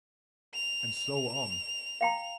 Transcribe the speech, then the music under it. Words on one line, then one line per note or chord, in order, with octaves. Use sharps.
And so on.
F7
F5 G5 A#5